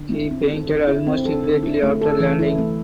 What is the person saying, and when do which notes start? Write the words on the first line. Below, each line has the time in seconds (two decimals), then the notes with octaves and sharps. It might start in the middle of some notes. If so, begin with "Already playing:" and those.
He fainted almost immediately after landing.
Already playing: D3
0.12 E4
0.31 C4
0.50 A4
0.69 D3
0.87 E4
1.07 C4
1.25 A4
1.44 D3
1.63 E4
1.82 A3
2.02 A4
2.20 E3
2.39 E4
2.58 A3